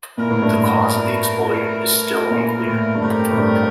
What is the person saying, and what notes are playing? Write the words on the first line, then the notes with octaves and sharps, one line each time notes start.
The cause of the explosion is still unclear.
A#2 E3 A3 E4 A#4
A2
G2
A2
A#2
A2
G2
A2 A3 C4 G4 A#4
A2
G2